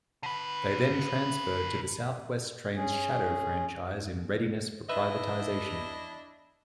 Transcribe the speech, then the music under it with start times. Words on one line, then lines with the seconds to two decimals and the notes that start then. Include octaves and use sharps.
They then transferred to the South West Trains shadow franchise in readiness for privatisation.
0.23 D3 B4
2.76 C#4 G#4
4.89 D4 E4 B4 D#5 E5